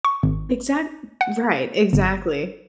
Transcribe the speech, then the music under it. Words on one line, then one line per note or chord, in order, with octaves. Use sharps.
Exact right, exactly.
C#6
G#1
F#5
G1